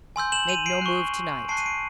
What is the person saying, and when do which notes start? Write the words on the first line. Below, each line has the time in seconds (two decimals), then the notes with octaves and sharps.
Make no move to-night.
0.16 G#5 C6 E6 G6
0.32 E7 F#7
0.49 D#7 F7
0.66 C7 D7
0.81 C#6 F#6
1.48 A5 C#6 F#6 C7 D7
1.58 D#7
1.65 C7 D7